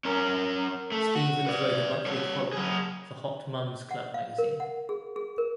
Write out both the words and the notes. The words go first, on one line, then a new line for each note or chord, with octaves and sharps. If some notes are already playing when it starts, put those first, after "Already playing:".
Stevens wrote a monthly column for "Hot Mom's Club" magazine.
C#4 A#4
A3
F#4
B4 D5
G3 C#5
F#3 G#4
F#5
F5
A#4
F#5
G#4
G#4
A#4